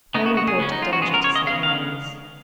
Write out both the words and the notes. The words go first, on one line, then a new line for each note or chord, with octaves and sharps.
No one thought of danger to St. Mary's.
C#3 G#3 B3 D#4
F#4
F#4
G#4
C#3 G#3 B3 C#4
D#4
F4
F#4
C#3 G#3 B3 G#4
A#4
C#5
D#5
C#3 G#3 B3 F5
F5